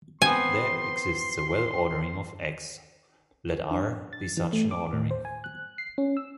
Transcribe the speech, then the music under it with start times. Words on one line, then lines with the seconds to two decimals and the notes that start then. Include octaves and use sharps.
There exists a well-ordering of "X"; let "R" be such an ordering.
0.22 B3 C4 G#5 C6
3.71 D4
4.13 A6
4.37 E3
4.53 A3
4.71 D6
4.93 A2
5.11 C5
5.25 G#5
5.44 F#6
5.78 C7
5.98 C#4
6.17 E6